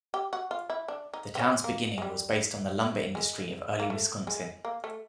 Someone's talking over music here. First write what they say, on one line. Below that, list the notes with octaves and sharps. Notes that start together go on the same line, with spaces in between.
The town's beginning was based on the lumber industry of early Wisconsin.
G4
F#4
F4
E4
D4
D#4
C4
C#4
A#3
G#3
G3
G#3
A#3
A3
G#3
A#3
A3